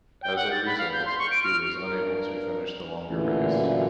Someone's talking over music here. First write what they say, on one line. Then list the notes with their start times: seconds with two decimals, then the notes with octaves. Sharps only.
As a result, he was unable to finish the longer race.
0.22 G5
0.36 F#5
0.52 A6
0.66 B5
0.78 F5
0.93 G6
1.06 C6
1.19 C#6
1.31 D7
1.43 F6
1.79 G2 A#4
3.10 A1 A#2 D3 E3
3.58 F#2